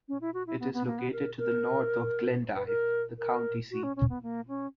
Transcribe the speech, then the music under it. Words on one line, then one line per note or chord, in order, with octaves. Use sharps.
It is located to the north of Glendive, the county seat.
C#4
E4
F#4
E4
B3
B3
A#3
B3
A#4
A#4
B4
A#4
A#4
F#4
C#4
C#4
B3
A#3
C#4